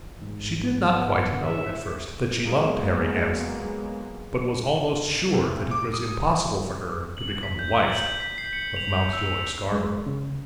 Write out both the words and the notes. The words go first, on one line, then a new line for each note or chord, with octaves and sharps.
She did not quite know at first that she loved Harry Annesley, but was almost sure that it was impossible for her to become the wife of Mountjoy Scarborough.
A1 G#2
B3
E5
F#3 G#3 A#3 B3
C3
D2
D6
D#6
F#7
B6
G6
F#7
G6
B6
C7
C#7
F7
E6
E6
G#3
C#3